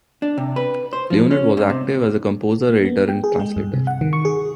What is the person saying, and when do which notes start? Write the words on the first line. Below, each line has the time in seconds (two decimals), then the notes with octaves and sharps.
Leonid was active as a composer, editor, and translator.
0.22 D4
0.38 C3
0.56 B4
0.93 C5
1.10 F3
1.31 C#4
1.57 G#2
1.70 C3
2.70 A#3
2.85 B3
3.08 G5
3.24 G#4
3.40 G#3
3.56 G2
3.74 C3
3.87 F#5
4.01 D#3
4.13 C#6
4.25 G#4